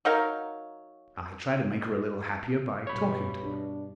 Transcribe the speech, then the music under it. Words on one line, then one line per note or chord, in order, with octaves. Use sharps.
I tried to make her a little happier by talking to her.
F#3 D#4 A#4 F5
G2 B2 C#5 B5
D4